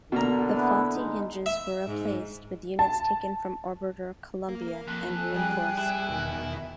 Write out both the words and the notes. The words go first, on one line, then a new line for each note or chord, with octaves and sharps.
The faulty hinges were replaced with units taken from orbiter "Columbia", and reinforced.
B2 D3 A#3 A#5
B3 E4 B4
G#3 D#4
E5
G#2
A5
A#3
F2 F#6
A4 G#5
G3 G#4 G5 G#5
E4
E2 B2 D#3